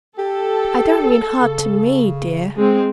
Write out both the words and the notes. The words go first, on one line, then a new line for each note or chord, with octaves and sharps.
I don't mean hard to me, dear.
G4 A4
C#3
G#3 C4